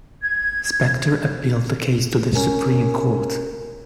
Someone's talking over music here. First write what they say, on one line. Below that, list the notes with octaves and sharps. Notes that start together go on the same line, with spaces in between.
Spector appealed the case to the Supreme Court.
G#6
C#4 A#4 G#5